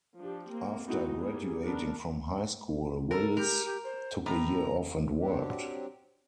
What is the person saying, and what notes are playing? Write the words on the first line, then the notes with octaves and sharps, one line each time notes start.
After graduating from high school, Willis took a year off and worked.
F3 D4 G4
A#3 C4
E3 A3 B3 C4 D#4 F#4
G3 A#3 B3 G#4
B3 D4 A#4
A4 A#4
G4 A#4
G4
C5
A2 A#5
F#3 C4 D4 G4